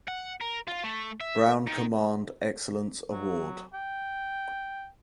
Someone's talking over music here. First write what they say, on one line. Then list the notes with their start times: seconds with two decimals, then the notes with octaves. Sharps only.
Brown Command Excellence Award.
0.08 F#5
0.41 A#4
0.68 F4
0.84 A3
1.21 E5
1.67 D#3
3.10 F#3
3.74 G5